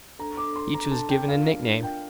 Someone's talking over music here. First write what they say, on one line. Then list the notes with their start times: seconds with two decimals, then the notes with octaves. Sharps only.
Each was given a nickname.
0.19 D4 A4 C5 A#5
0.37 D6
0.56 C6
0.74 A#5
0.91 A5
1.09 G5
1.28 D4 F4 A#4 D5 F5
1.83 G5